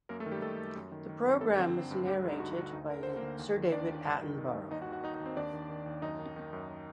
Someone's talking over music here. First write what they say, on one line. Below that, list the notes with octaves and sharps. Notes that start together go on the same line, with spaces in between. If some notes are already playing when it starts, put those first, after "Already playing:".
The programme is narrated by Sir David Attenborough.
F#2 A#3 A#4
A3 A4
D#3
G3 G4
D#3 A3 A4
F#2
F#2
D#3
D#3
F#2
G2 A3 A4
D3 C4 C5
D3
G2
D2 G3 G4
D3 D#4
D3 F#4
D2 F#4
D2 D#4
D3 A#4
D3 C5
A#3 A#4
D2
D#2
D#3
D#3 D4 D5
D#2
G2
D#3
D#3
G2
D#2 D#4 D#5
F#4 F#5
D#3
F#4 F#5
D#3 D#4 D#5
D#4 D#5
D#2
C4 C5
D#2 D4 D5
D#3
D#3
D#2
F#2 D#4 D#5
D#3
D#3
F#2